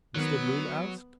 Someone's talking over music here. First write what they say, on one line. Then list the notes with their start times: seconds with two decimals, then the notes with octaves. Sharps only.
Mr Bloom asked.
0.16 D#3 F#3 B3 A#4 F#6